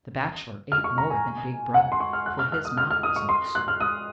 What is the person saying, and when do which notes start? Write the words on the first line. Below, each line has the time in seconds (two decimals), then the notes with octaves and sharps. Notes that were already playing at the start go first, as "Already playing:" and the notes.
The Bachelor ate more than Big Brother, for his mouth was not sore.
0.72 F6
0.84 C#6
0.98 A#5
1.10 G#5
1.74 F#5
1.92 C6
2.00 C#6
2.13 F6
2.26 F#6
2.39 F6
2.52 F6
2.65 D#6
2.77 F6
2.91 F6
3.03 D#6
3.16 C#6
3.29 C6
3.55 F#6
3.68 F6
3.80 D#6